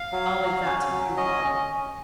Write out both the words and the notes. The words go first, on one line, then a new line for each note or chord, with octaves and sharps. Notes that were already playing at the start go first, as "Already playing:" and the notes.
"I'll leave that to you, Polly."
Already playing: F5
F#3
F#3
C#4
F#3
C#4 D#5
C#4